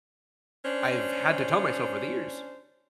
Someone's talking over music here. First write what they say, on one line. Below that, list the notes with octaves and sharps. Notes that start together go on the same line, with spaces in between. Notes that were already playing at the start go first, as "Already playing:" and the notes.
I've had to tell myself over the years,
C#4 D4 C5